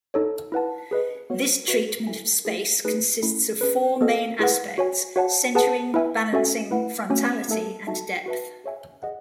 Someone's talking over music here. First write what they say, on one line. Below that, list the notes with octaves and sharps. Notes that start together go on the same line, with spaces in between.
This treatment of space consists of four main aspects: centering, balancing, frontality, and depth.
D#4 A4 C#5
E4 B4 F#5 A5
G#4 B4 D#5
B3 F#4 C#5
F#4 B4 E5
E4 A4 E5 G#5
A3 E4 G#4
A3 D#4 G#4 B4
A3 C#4 E4
C#4 G#4 B4
B3 F#4 A4 D#5
E4 G#4 B4 F#5
F#4 C#5 G#5
F#4 C#5 F#5 A5
G#4 B4 F#5 A5
E4 B4 E5 G#5
C#4 F#4 A4 E5 G#5
A3 E4 B4 F#5
A3 C#4 F#4 C#5 G#5
A3 D#4 A4 E5 A5
D#4 F#4 A4 E5 A5
F#4 B4 E5 A5
G#4 C#5 E5 G#5
G#4 D#5 F#5